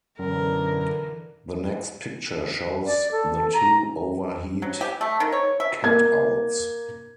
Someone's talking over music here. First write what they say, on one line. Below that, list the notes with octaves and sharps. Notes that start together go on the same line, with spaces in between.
The next picture shows the two overheat cutouts.
F#2 B2 D3 E3 A#4
D5
A4
A#5
F#3
G4
A3
D#3
C#5
E5
A#3 G#6